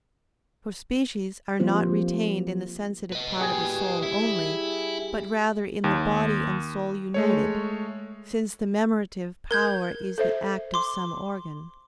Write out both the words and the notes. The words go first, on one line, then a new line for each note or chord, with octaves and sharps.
For species are not retained in the sensitive part of the soul only, but rather in the body and soul united: since the memorative power is the act of some organ.
F3 A#3 C4 F4 G4 C5
B4 D#5
G3 G#4
E4
D#2
G#3 A3 C#5
A#4 G6 G#6 G7
A4 C5 E5
C6 D6